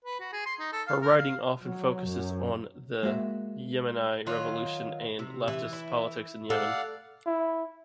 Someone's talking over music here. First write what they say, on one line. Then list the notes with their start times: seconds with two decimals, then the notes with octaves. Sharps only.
Her writing often focuses on the Yemeni Revolution and leftist politics in Yemen.
0.04 B4
0.20 F#4
0.32 G#4
0.46 C6
0.59 D#4
0.72 A4
0.87 F5
1.02 A#4
1.17 F5
1.62 F#3
2.08 F#2
3.03 G#3 A#3 F#4 E5
4.27 D#3 F#3 F4
5.19 C3
5.48 E3
5.73 E4
6.50 A4 D5 F5 F#5
7.26 E4